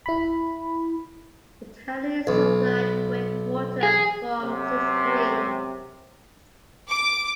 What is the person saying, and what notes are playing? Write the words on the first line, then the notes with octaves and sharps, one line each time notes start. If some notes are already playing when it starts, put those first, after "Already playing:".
The town is supplied with water from six springs.
E4 B5
B1
G#4
F#2 C3
D6